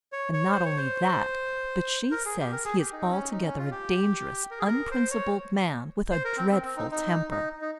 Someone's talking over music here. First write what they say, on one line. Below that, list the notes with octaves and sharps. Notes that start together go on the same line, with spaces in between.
And not only that, but she says he is altogether a dangerous, unprincipled man with a dreadful temper.
C#5
C#5
C5
C#5
C5
A#4
G#4
G4
A#4
G#4
G4
D#4
C4
C#4
D#4
C#4
F4
G4
A#4
G#4
A#4
C5
C#5
C5
A#4
C4
C4
C4
D#4
D#4
D#4
D#4